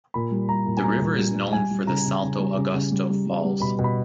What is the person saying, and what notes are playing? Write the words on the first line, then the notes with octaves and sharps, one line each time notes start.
The river is known for the Salto Augusto Falls.
A#2 B5
G3
G3 A#5
A#2
G#5
G3 A#5
A#2
G3
G3
G3 G#5
G3
C#3 A#5
C#3
C#3
G3
C#3
C#3
G3
G3
G3
G3
B2 B5
B2
B5